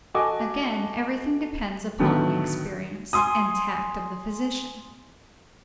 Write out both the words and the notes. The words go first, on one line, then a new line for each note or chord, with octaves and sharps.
Again everything depends upon the experience and tact of the physician.
F#4 A4 D#5 G#5 D6
A2 D3 D#3 F#3 A3 B3
G#5 C6 D#6